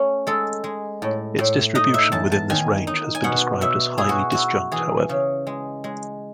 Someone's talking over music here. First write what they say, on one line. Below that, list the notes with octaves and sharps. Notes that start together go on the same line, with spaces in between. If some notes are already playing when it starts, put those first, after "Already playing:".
Its distribution within this range has been described as "highly disjunct" however.
Already playing: A3 C#4
G#3 A4
G#3
A2
A2
D#4 D#5
E5
E2 A5
A5
D#3 G#5
D#4
G#5
B2 F#5
B2 E5
E4 G#4
F#4
E4 F#4
E3 G#4
C#3
G#3
G#3